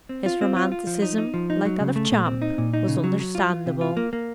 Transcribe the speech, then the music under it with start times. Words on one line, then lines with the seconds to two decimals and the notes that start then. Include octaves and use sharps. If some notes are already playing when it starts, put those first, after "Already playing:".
His romanticism, like that of Champ, was understandable.
0.09 C4
0.26 F4
0.41 C4
0.56 F4
0.72 F4
0.87 F3
1.02 D#4
1.18 D#4
1.34 F3
1.50 D#4
1.65 F#3
1.80 C#3
1.96 A3
2.11 A#2
2.26 C4
2.42 D#4
2.58 A#2
2.74 D#4
2.88 C#3
3.04 F#3
3.20 F#3
3.35 F4
3.50 F4
3.66 C3
3.81 F4
3.97 A#3
4.13 A#3